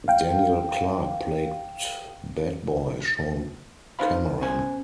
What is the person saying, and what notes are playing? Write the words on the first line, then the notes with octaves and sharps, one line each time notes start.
Daniel Clark played bad-boy Sean Cameron.
F5 G5
D#4 B4 C5 F5 B5
B2 C#4 C5 G#5